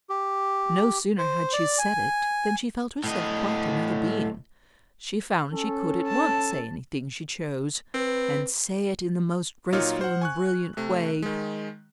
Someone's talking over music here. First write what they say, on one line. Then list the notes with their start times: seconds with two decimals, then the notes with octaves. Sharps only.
No sooner had she said it than she felt herself quite another being. She found she could at once say anything she chose, and say it in the most graceful and brilliant way.
0.10 G4
1.18 C5
1.53 D5
1.79 G#5
3.04 A2 D#5
5.52 C#4 A4
6.08 A5
7.95 C4 B4
9.72 A#2 F#3 D#4 F4 C#5 F6
10.01 C5 F#5
10.21 G#5 C#6 F#6
10.77 C3 A3
11.22 D#3 G#3